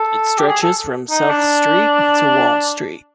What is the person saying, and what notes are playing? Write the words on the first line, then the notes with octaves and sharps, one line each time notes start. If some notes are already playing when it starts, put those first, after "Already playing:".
It stretches from South Street to Wall Street.
Already playing: A4
G4
G#4
A4
D#4
D4